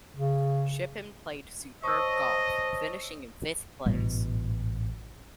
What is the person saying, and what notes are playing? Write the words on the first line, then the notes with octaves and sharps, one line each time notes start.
Shippen played superb golf, finishing in fifth place.
C#3
C5 C#5 D#5 A5 C#6 D#6 E6
A1 G#2 B2 G3